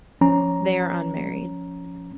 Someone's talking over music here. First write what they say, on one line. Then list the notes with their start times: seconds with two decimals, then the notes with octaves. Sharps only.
They are unmarried.
0.21 F3 C#4 A#5